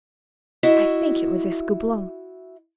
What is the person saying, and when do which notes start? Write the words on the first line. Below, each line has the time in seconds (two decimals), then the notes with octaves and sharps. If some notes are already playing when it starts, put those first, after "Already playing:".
I think it was Escoublon.
0.63 E4 F#4 D#5 E5